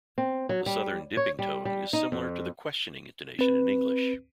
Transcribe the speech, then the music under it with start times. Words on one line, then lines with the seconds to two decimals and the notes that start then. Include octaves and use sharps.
The Southern "dipping" tone is similar to the questioning intonation in English.
0.18 C4
0.49 F#3
0.66 G3
1.17 C#5
1.39 G3
1.65 G3
1.93 D#4
2.12 F2
3.39 C4 B4